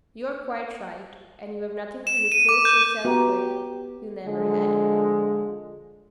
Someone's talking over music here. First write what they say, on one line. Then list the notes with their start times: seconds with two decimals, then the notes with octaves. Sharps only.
You're quite right, and you've nothing to reproach yourself with--you never had.
2.07 E7
2.32 D#7
2.49 D6
2.65 G6
3.05 B3 F#4 G4 A#5
4.26 D3 F3 G#3